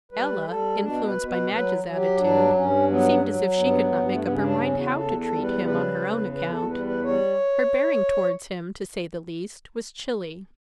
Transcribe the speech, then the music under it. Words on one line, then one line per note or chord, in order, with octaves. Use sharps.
Ella, influenced by Madge's attitude, seemed as if she could not make up her mind how to treat him on her own account; her bearing towards him, to say the least, was chilly.
G3 B4
G3 A4
B2 D4
B4
B2
B4
F#3 B4
F#3
G4
G2 D4
G2 C#4
F#3 B3
F#3
G2 B3
G2
A3
B3
C#3 C#4
D4
E2 C#4
F#4
E2 A4
A4
G3
B4
C#3 B4
E2
E2 B4
A4
G3 B4
B4
G3 C#5